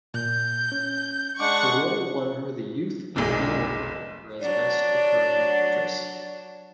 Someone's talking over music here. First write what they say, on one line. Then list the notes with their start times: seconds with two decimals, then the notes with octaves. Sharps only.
The role won her the Youth in Film Award for as best recurring actress.
0.14 A#2 G6
0.72 C#4
1.40 G#3 D4 F#5 C#6 D6
3.16 F1 B1 A#2 D3 G#3
4.41 F#3 D4 D5